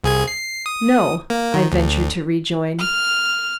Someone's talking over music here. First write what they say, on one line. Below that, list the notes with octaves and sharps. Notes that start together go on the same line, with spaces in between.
"No," I ventured to rejoin.
C2 G#4 G#6
C7
D#6
A#3
D#3
D2
F6